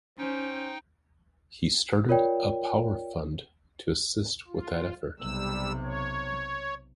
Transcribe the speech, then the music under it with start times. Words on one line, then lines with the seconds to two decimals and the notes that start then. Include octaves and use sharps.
He started a "power fund" to assist with that effort.
0.18 C#4 D#4 C5 G5
2.09 F4 A#4 C#5 D5 G5
4.48 F4
5.19 B1 C3 G3 E6
5.84 C#5